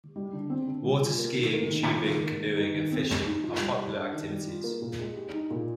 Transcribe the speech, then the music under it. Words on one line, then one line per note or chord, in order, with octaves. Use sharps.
Water skiing, tubing, canoeing, and fishing are popular activities.
G3
D3
C4
D3
G3
F4
A#3
D#3
A#3
D#3
F4
D#3
A#3
D#3
D#4
D#3
C4
G4
D#4
F3
G3
G4
D4
D#3
G3
F4
A#3
A#2
G#3
G4
D#4
A#2